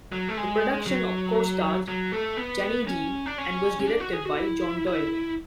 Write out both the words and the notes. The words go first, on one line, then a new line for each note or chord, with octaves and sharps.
The production co-starred Janie Dee and was directed by John Doyle.
F#3
A3
G#3
F#3
F#3
A3
B3
C#4
D4
C#4
C#4
D4
F#4
G#4
F#4
E4
E4